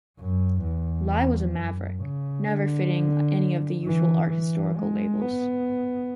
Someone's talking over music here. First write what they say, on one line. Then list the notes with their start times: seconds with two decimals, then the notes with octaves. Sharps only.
Lye was a maverick, never fitting any of the usual art historical labels.
0.19 F#2
0.64 E2
1.56 F#2
2.02 C#3
2.47 D3
3.84 E3
4.30 E3
4.76 G#3
5.21 B3